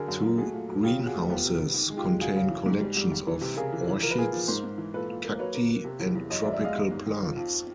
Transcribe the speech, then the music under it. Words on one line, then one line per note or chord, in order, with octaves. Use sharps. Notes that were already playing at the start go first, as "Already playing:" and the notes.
Two greenhouses contain collections of orchids, cacti, and tropical plants.
Already playing: D3 F#3 G#4 A#4
F#2
F#2
A3 F#4 G#4
A#2
F#3
C#3 F4 G4
C#3
F#4 G#4
A3
B3 F4 G4
C3
G3
D#3
G#3
F4 G4
G#3
C#3 F#4 G#4
C#3
E3
G#2
G3
G3
G3
E3
C3
C#3 G#4 A#4
E3
E3
F3 A#4
B4
A#2 G#4 A#4
F3
G#2 A#4 C5
G#2
E3
A#2 A4 B4
A#2
A#3
F#3 B4 C#5
A#3
A#3
C3
E2
E2
F#2 C#5 D#5
D5 E5
F#2
D5 E5
G#3 D#5 F5
G3
G#2
D#3
F3
F2